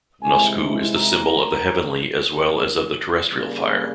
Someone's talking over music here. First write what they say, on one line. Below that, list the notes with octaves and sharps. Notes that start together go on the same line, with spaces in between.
Nusku is the symbol of the heavenly as well as of the terrestrial fire.
C2 C3 E3 G#3 E4 G#5
A#5
C#3 G3 A#3